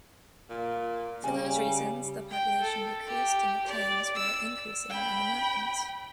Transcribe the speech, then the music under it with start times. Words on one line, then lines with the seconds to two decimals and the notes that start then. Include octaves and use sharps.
For those reasons, the population decreased in the plains, while increasing on the mountains.
0.49 A#2
1.24 C#3 G3 G#5
2.30 G5
2.61 A4
3.07 G4
3.67 D5
4.15 E6
4.90 G5 B5